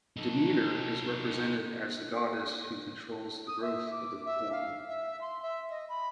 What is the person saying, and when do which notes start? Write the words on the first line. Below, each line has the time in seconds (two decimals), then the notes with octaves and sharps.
Demeter is represented as the goddess who controls the growth of the corn.
0.17 D#4 A4
3.47 D#6
3.62 E5
3.91 D6
4.25 E5
4.52 F5
4.89 E5
5.21 C6
5.42 E5
5.70 D#5
5.89 B5